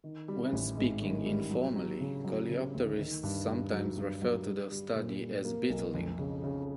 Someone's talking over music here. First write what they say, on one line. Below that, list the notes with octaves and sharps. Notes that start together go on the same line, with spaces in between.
When speaking informally, coleopterists sometimes refer to their study as "beetling".
D#3
G3
A1
G#2
D#3
G3
F#3
F#3
C#3
F#3
C#3
D2
D#3
G2
G2
F#3
G2
F#3
G3
G3
A#2
G3
A#3
B1
F2
C#3
C#3